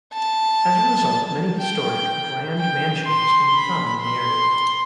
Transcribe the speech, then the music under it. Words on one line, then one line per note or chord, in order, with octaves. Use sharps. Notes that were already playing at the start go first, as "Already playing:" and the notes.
As a result, many historic, grand mansions can be found in the area.
A5
G5
G5
C6
B5
C6